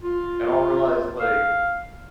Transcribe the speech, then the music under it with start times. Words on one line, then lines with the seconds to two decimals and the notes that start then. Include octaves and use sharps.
and I'll realize, like
0.03 F4
1.20 F5